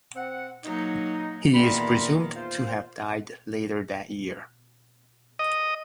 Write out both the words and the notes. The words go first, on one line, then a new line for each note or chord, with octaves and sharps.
He is presumed to have died later that year.
C4 F#5
F#3 A#3 D#4
E2 A#2 D#3 G3 B5 C6
F4 C5
D#5